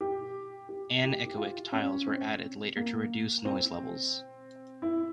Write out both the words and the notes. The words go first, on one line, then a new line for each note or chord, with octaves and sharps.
Anechoic tiles were added later to reduce noise levels.
G4
G4
G4
G4
F4
C#4
C4
A#3
C4
E4